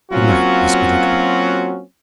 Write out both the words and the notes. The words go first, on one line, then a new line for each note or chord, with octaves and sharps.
The night was bitter cold.
F#3 A#3 C4 C#4 F4 F#4